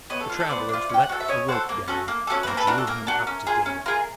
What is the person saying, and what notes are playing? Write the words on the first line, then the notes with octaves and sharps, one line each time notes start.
The travellers let a rope down and drew him up to daylight.
B3 C#5 D#5
A4
D4 F4
A4
B3 C5 D5
D4
F4
C#4 G5
F#5
F#4 A4 F5
E5
C#4 C#5 D#5
F#4 A4 C5 D5
A#3
C#4 F#4 A4
A#3
C#4 F#4 A4
B4
A#3 A#4 C5
A4 B4
D4 F#4 A#4
A4
A#3 A#4
D4 F#4
C#4
F4 G#4
C#4
F4 G#4 A#4